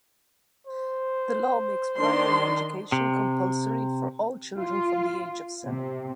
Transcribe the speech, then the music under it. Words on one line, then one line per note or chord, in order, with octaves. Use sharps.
The law makes primary education compulsory for all children from the age of seven.
C5
D#3 D4 C6
C3
F4
C3